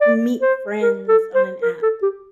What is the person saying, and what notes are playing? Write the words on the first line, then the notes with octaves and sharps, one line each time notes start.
meet friends on an app,
D5
C5
A#4
A4
C5
A#4
A4
G4